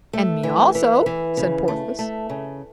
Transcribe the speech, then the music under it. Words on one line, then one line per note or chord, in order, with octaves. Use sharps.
"And me also," said Porthos.
A3
E3
E3
E3
C#3
A3
A3
C#3